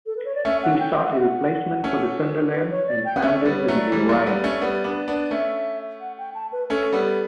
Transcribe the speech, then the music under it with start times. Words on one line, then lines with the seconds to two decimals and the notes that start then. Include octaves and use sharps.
He sought a replacement for the Sunderlands and found it in the Orion.
0.06 A4
0.16 B4
0.25 C#5
0.35 D5
0.45 A3 C#4 E5
0.63 F#5
0.79 G5
0.97 G5
1.05 F#5
1.12 E5
1.20 F#5
1.84 A3 C#4
2.53 B4
2.71 C#5
2.87 D5
3.05 G5
3.16 B3
3.22 A3 C#4 E5
3.40 D5
3.45 G3 B3
3.57 C#5
3.68 F#3 A3
3.75 D5
3.92 E3 G3
4.09 F#3 A3
4.26 G3 B3
4.44 A3 C#4
4.61 G3 B3
4.84 B3 D4
5.08 B3 D4
5.30 A3 C#4 E5
6.00 F#5
6.18 G5
6.35 A5
6.52 B4
6.70 A3 C#4 A4
6.93 G3 B3